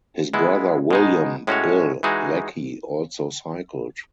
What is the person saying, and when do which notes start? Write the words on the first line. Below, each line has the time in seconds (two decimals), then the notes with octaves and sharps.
His brother William "Bill" Lackey also cycled.
0.34 G#3 B3 E4
0.91 B2 G#3 D#4
1.47 A2 G#3 C#4 F#4 C#5
2.03 E3 G#3 D#4 F#4